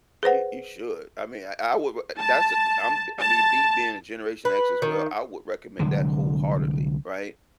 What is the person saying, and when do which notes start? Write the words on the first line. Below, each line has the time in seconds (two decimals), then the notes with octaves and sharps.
you you should. I mean, I I would, but i that's a I'm I mean, me being a Generation X as well, I would recommend that wholeheartedly, right?
0.23 G#4 B4 C5 F#5
2.18 A5
3.18 A5
4.45 B4
4.82 D#3
5.79 C2 D3 F#3 G#3